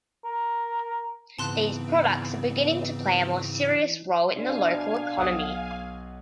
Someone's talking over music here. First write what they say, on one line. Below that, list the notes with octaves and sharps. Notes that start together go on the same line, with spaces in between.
These products are beginning to play a more serious role in the local economy.
A#4
G#2 C#3 E3 B3 C4 A5 C6 F#6
B2 D4 F5 G#5
B1 F#5 D#6